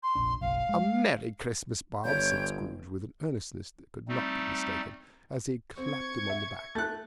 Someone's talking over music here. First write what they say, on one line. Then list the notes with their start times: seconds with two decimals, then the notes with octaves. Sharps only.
"A merry Christmas, Bob!" said Scrooge, with an earnestness that could not be mistaken, as he clapped him on the back.
0.03 C6
0.15 F1 A#1 D4
0.41 F#1 B1 F5
0.69 G#3
2.04 G1 C#5 G5 G6
4.08 G3 A3 C4 D#4
5.77 C4 C#6 G#6
6.30 E5
6.75 A3 A5 F#6 G6 A6